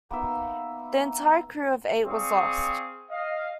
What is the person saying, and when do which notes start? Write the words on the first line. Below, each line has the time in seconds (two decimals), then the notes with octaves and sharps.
The entire crew of eight was lost.
0.11 A#3 B3 D#4 E5
2.06 C4 G#4 D5 F5 C#6 D#6
3.10 D#5 F5